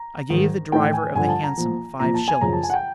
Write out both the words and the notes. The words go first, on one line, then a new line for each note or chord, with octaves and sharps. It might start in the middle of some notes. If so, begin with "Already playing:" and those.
I gave the driver of the Hansom five shillings.
Already playing: A#5
G#2 D#3
A2 E3 G5
G#5
G2 D3 F3 G#5
A5
A#5
A#2 F3
A#2 F3 A#5
A5
G#5
F#2 C#3 F3 A#5
A5
G#5
F#5
G5